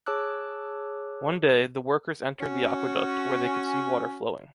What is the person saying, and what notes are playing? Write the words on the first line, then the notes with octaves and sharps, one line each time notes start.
One day, the workers entered the aqueduct, where they could see water flowing.
G#4 C#5 A5 D6 E6 F#6
C#4 F#4